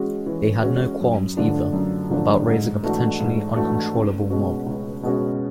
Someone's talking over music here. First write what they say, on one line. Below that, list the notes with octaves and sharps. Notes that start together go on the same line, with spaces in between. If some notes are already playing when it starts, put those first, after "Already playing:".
They had no qualms, either, about raising a potentially uncontrollable mob.
Already playing: E3 G#3 C#4 F#4
E3
G#3 C#4 F#4
F#2
D3 F3 A3 D4
F#2
D3 F3 A3 D4
G#2
E3 A3 D4 F#4
G#2
E3 A3 D4 F#4
C#2
B2 G#3 C#4 F#4
C#2
B2 G#3 C#4 F#4